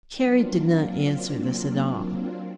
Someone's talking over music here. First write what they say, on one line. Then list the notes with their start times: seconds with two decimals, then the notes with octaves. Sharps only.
Carrie did not answer this at all.
0.16 F#3 A#3 C4 D4 F4